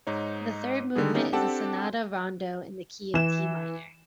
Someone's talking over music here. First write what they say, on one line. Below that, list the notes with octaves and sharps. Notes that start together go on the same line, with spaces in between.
The third movement is a sonata-rondo in the key of D minor.
G#2 D#4 C#5
D3 D#3 G3 G#4
B3 C#4 D#4 G4 A4
C4 D4 G4 A4 F#5 A5
E3 E7